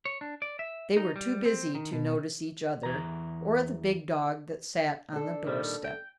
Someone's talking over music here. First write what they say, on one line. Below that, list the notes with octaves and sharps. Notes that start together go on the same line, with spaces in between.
They were too busy to notice each other or the big dog that sat on the door-step.
C#5
D4
D5
E5
D#4
G3
C4
D#3
B2
E2 E3 A#5
D4 A4
A#2 D#3 G3
G5